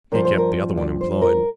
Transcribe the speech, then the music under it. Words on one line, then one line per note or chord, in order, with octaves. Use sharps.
He kept the other one employed.
G2 F3 A#4
C5
A#4
D5
C5
A#4